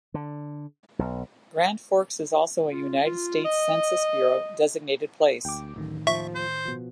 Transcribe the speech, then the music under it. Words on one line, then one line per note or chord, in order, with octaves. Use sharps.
Grand Forks is also a United States Census Bureau designated place.
D3
B1
F4
F4
D#5
D2 G5 D6
D1 A1 A2 D#3
D#2 F3 E5 C#6
C5
B2 F3